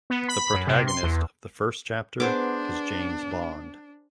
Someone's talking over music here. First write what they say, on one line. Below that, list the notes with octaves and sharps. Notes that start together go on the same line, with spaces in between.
The protagonist of the first chapter is James Bond.
B3
B5
F#2
C3
C6
E2
B3 D4 G#4 C5 D6